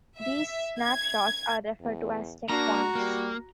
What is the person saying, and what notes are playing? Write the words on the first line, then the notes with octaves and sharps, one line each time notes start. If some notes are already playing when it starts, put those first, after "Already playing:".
These snapshots are referred to as "checkpoints".
E5
G#6
E2
A#3 D4 F#4 A#5
G3 A#3